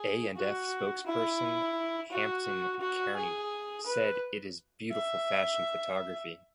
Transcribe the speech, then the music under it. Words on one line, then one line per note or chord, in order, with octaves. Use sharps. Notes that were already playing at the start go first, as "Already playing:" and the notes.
A and F spokesperson Hampton Carney said, it is beautiful fashion photography.
Already playing: G#4
F#4
E4
F#4
F#4
G#4
B4
E5